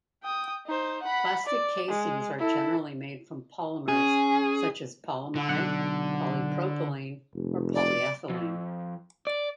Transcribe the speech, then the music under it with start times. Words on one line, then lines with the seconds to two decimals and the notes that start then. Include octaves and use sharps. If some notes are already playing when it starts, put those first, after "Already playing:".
Plastic casings are generally made from polymers such as polyamide, polypropylene, or polyethylene.
0.23 G5 D#6
0.66 D#4 C5
1.03 F#5 B5
1.46 D5
1.89 G#3
2.39 E4 A4
3.88 C#4 G#4
5.35 D3
5.49 B1 F#5
7.35 F1
7.74 D5
8.30 F2
9.27 D5